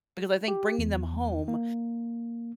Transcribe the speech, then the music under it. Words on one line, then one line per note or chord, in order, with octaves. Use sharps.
Because I think bringing them home
G4
E2
A#3